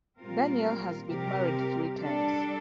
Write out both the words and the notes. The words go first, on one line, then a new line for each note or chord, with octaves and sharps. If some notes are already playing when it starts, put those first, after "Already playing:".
Daniel has been married three times.
A#2 G3 C4 F4 A#4
C3 G3 C4 G4 A#4
G3 D4 A4